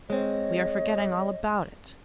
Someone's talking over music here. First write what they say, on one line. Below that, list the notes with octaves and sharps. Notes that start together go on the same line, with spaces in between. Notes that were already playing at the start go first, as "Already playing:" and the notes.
We are forgetting all about it.'
G#3 C4 C#5 D#5